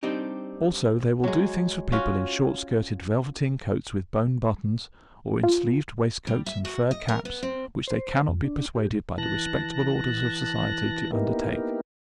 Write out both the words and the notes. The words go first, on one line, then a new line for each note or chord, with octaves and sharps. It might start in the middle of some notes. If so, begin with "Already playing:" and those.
Also, they will do things for people in short-skirted velveteen coats with bone buttons, or in sleeved waistcoats and fur caps, which they cannot be persuaded by the respectable orders of society to undertake.
G3 C4 D4 D#4 G4
F#3 G#3
C#4 F4 F#4
F4
G3
E5
F#4
D#5
A#4
B3
C4
C5
F2
D4
G4
G#2
E3 A5 F#6 A#6
A#3 B3 D#4 E4 G4 A#4